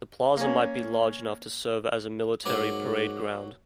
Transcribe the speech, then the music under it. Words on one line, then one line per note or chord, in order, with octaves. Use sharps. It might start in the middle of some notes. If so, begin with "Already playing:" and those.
The plaza might be large enough to serve as a military parade ground.
A#3 C#4
G#2 F#3 A#3 F#4 D6